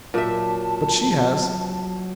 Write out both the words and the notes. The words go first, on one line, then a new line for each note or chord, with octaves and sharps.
But she has.
A#2 F#3 E5 A5